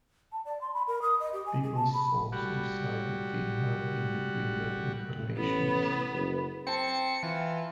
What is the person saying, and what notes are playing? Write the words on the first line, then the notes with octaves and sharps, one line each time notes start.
People's souls reside within her in between their incarnations.
A5
D5
C6
B5
A#4
D#6
D#5
G4
G#5
G#4
A5
B5
G3 F#4
A1 B3
F#1
C4 G5 A5 C#7
E3 F4